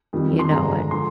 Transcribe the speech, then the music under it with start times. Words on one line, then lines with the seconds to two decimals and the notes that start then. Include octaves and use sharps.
you know, and,
0.13 F2 D#3 G3
0.39 C6
0.51 G2 D3 G#3 A#5
0.71 A#5
0.91 D3 F3 C6